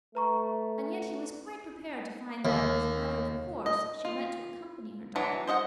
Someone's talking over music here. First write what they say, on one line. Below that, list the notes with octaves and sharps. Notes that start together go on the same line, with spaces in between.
And yet he was quite prepared to find that, as a matter of course, she meant to accompany her daughter.
A3 B4 A#5 C#6
D#2
D#5
F4
E3 F#3 D4
C5 D#5 E5 F#5